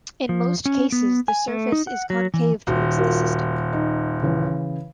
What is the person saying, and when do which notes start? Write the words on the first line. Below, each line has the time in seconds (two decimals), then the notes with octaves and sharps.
In most cases the surface is concave towards the system.
0.29 F3
0.66 C#4
0.92 B3
1.28 G#5
1.48 A3
1.72 D#4
1.87 F#5
2.10 F#3
2.34 E3
2.67 D#1 F#4
2.98 F4 F#4 A#4
3.73 D#4
4.22 C#3 E3 B4